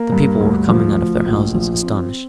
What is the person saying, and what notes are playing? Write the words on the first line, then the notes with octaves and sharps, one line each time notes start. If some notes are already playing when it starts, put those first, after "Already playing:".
The people were coming out of their houses, astonished.
Already playing: A#3
G2
D2
F3
D2
A#1
F3
C4